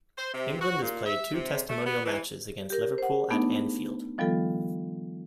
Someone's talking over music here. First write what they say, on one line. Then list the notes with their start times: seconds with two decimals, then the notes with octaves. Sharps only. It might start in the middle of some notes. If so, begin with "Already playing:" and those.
England has played two testimonial matches against Liverpool at Anfield.
0.17 C5
0.34 C3
0.60 F#4
0.82 A#2
1.05 E5
1.33 C3
1.70 A3
1.85 B3
2.05 E3
2.70 G4 A#4
2.98 C5 F#5
3.31 A3 B3 D4 D#4
4.18 D#3 F3 G3 B3 F4 A4